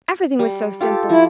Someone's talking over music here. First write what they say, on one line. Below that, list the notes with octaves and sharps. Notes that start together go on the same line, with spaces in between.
Everything was so simple.
G3
F4 G4 A4
F3 E4